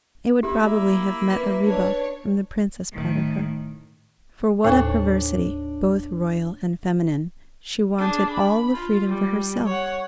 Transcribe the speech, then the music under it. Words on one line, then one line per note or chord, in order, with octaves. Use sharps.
It would probably have met a rebuff from the princess part of her; for what a perversity, both royal and feminine, she wanted all the freedom for herself.
A#3 E4 G4 E5
B4
D4 C#5
A2 D#3
D#2 A2 D4 C5 C#5
D4 G#4
B5
F4
G3
C#5 F#5